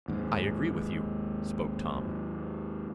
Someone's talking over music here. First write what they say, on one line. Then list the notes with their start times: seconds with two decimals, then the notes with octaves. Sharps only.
"I agree with you," spoke Tom.
0.08 D#2 G#2